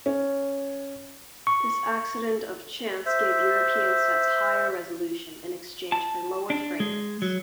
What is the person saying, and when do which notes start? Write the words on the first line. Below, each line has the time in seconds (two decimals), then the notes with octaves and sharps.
This accident of chance gave European sets higher resolution, in exchange for lower frame-rates.
0.06 C#4
1.47 C#6
3.06 C5 E5
5.92 A5
6.50 D4
6.80 G#3
7.22 F#3